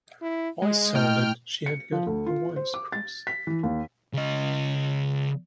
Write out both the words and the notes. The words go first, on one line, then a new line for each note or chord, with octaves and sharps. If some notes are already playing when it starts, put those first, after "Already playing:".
I saw that she had got the wires crossed.
E4
G#3 D#5
A2 G5 F6
C#7
F3
D2
F4
C5
D6
A6
B6
E3
D#2
C#3 D#5